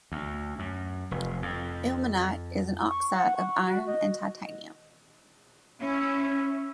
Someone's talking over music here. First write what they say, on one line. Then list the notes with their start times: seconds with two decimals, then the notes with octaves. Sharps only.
Ilmenite is an oxide of iron and titanium.
0.12 D2
0.59 F#2
1.11 F1
1.42 F2
2.89 C#6
3.14 F#5
3.37 C#6
3.67 F#4
3.87 D#5
5.81 C#4 E4